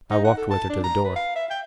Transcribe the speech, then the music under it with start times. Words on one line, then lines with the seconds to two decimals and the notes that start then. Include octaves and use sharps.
I walked with her to the door.
0.11 D#4
0.25 F#5
0.37 A4
0.51 A5
0.69 D4
0.83 A#5
1.04 B4
1.16 F5
1.36 E5
1.50 G5